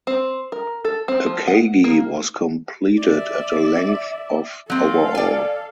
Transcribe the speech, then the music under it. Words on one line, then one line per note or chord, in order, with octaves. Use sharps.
"Akagi" was completed at a length of overall.
C4
A#4
A4
C4
F3
F#5
A#3
D5 E5
F#3 C4 A4 F5
D5 G#5